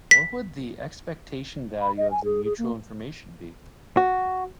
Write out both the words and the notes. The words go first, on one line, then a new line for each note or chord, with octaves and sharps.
What would the expectation value of the mutual information be?
B6
B5
D#5
G#5
G#4
G#4
A#3
F#4